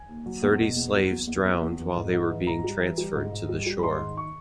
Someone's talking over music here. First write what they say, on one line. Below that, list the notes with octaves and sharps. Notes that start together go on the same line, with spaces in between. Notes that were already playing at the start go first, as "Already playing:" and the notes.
Thirty slaves drowned while they were being transferred to the shore.
Already playing: G#5
D#2
F#3
E2
B2
E2
F#3
E2
E2
E2
E2
E3
G#2
G#2
E3
G#2 A#5
G3
E3
G3
G#2
G#2
G3
G3
B5
G#2 C6
D#3
C#6